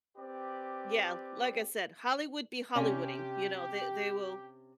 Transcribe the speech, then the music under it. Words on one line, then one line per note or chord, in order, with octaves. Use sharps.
Yeah, like I said, "Hollywood be Hollywooding," you know, they they will
C4 G4 B4 D5
C3 C#4 G4